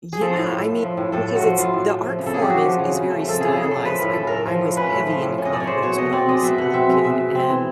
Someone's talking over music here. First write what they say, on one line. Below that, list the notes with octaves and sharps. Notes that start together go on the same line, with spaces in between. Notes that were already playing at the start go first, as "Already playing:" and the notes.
Yeah, I mean, because it's the art form is is very stylized, I I was heavy into comic books when I was a little kid, and
G#4
F3 A4
A2
A2
A3
F3
A2
A2 A4
A3
F#4
F3
A2 F4
A2
A3
F3
C#3
A4
C#3 G#4
G4
A3 F#4
F3
C#3
C#3
A3
F3 A4
C#3 G#4
C#3 G#4
A4
A3
F3 B4
A2 A#4
C#4 A4
A3 A#4
F3
A2
C#4 B4
A3
F3
A2
C#4
D#5
A3 D5
C#5
G#3 C5
B2 C#5
B2 D#5
C4 D5
G#3 D#5
B2 E5
B2 F#5
C4 E5
G#3 E5
B2 E5
B2
C4
E3